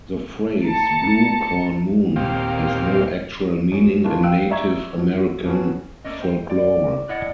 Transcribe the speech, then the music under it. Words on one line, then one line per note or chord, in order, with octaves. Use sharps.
The phrase "blue corn moon" has no actual meaning in Native American folklore.
A3 A5 A#5 A6 C#7
D#2 A#2 C4 G4 F5
F#2
E3 A3 A#3 D4 F4
F5 G5 E6 F#6 D7
D5 E5 A#5 C#6 G#6
F3 F#3
F2 A2 F#3 B3 C#4
A3 A#3 C#4 D#5
C5 G5
D5
A2 E4 D5 D#5 F#5